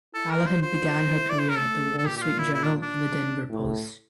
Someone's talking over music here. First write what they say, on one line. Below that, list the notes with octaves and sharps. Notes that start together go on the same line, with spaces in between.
Callahan began her career at the Wall Street Journal and the Denver Post.
E4 A4
A#4
C5
F4 C5
E4
D5
C5
A#4
A3 A4
A4
A#2 G4
G4
F4
E4
E4
D4
D4
A2